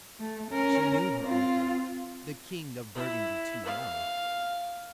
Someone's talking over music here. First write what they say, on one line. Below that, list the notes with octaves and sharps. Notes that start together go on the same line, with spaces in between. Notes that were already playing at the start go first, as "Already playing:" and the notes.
She knew her uncle, the king of Burgundy, too well.
A3
C#4 A#4
C4 F4
E4
F5